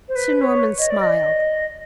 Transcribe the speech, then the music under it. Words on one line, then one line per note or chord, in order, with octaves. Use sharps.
Sir Norman smiled.
C5
B4
C#5
D#5
D5
D#5